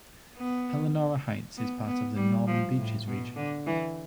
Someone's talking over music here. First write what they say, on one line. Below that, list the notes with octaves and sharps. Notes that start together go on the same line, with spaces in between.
Elanora Heights is part of the Northern Beaches region.
B3
B3
B3
G3
F3
A2
B2
D3
E3